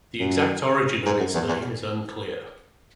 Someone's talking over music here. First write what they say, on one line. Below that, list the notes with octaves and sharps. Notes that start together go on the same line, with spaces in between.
The exact origin of its name is unclear.
F#2
G#2
F#2
E2
E2